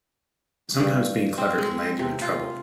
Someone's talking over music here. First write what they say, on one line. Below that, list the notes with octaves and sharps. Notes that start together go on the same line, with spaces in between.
Sometimes being clever can land you in trouble.
G2
C4
G#3
C3
F4